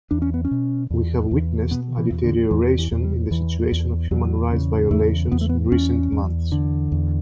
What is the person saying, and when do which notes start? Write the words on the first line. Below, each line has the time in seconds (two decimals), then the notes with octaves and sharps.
We have witnessed a deterioration in the situation of human rights violations in recent months.
0.11 E2 D4
0.22 C#4
0.34 B3
0.45 C#4
0.51 B2
0.91 E2
1.31 E2
1.71 B2 B3
1.98 E3
2.11 E2
2.24 D3
2.51 E2 E3
2.78 E3
2.92 E2
3.04 G3
3.31 E2 E3
3.72 E2
4.11 E2 F#3
4.51 C#3
4.91 E2 A3
5.32 E2 B3
5.41 A3
5.49 B3
5.72 E2 C#4
6.12 E2
6.52 D3
6.92 E2